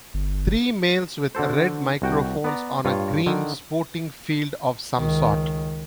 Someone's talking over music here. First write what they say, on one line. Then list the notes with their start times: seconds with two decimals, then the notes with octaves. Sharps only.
Three males with red microphones on a green sporting field of some sort.
0.14 G1
1.35 D3 F#4 A4 C5
2.02 C2 F#4 G5
2.44 B3 D5 A#5
2.85 G2 F4 C#5
3.26 D3 D#3
4.97 C#2 D#3